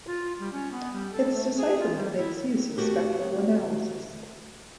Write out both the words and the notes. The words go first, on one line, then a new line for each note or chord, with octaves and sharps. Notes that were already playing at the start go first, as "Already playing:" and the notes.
Its decipherment makes use of spectral analysis.
F4
G3
C#4
B3
G3
A4
A3
G#4
F4
G3
E4
A3 F#4 G4 A#4